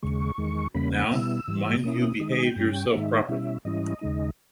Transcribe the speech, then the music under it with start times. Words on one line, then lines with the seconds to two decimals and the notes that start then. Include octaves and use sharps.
Now, mind you behave yourself properly.
0.03 D#2 C#3 G#3 C#6
0.38 E2 D#3 G#3
0.74 E2 C#3 G3 A#3 C#4 B5
0.93 B5
1.11 B2 G3 B3 E4 E6
1.48 G#2 E3 G3
1.83 B2 A#3 C#4 E4 D#6
2.02 D#6
2.20 D#3 G#3 D#4 D#6
2.32 D#6
2.38 G#5
2.45 G5
2.56 G2 G3 C#4
2.92 G#2 D#3 G#3 D#4 E5
3.29 B2 G3 C#4 E4
3.65 G#2 E3 G3 C#4 E4 D#5
4.01 D#2 C#3 G#3 D#4